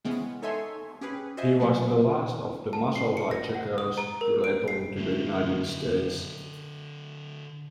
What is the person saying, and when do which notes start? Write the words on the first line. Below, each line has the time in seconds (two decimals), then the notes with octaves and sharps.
He was the last of the muscle hijackers to return to the United States.
0.05 C3 E3 G#3 B3 C#4
0.42 D#4 A4 C#5 E5 G#5 C6
1.01 C#4 G4 G#4 B4
1.37 F#4 C5 D#5 E5 G#5
1.60 F#3 A3 A#3
2.73 A5
2.95 C7
3.17 C#7
3.31 A#6
3.55 F#5
3.78 D#6
3.98 A#5
4.21 A#4
4.44 D7
4.68 C7
4.96 D3 E4